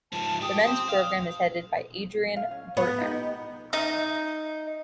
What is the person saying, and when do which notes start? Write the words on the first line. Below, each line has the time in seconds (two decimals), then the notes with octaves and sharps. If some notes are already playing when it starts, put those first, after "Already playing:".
The men's program is headed by Adrian Burtner.
0.13 G#2 F3 A5
0.42 G4 G5 D#6
0.67 C5 G5 D#6
0.89 F5
2.36 F5
2.51 C#4
2.77 B3 B5
3.00 D#4 G4 A#4
3.73 D#4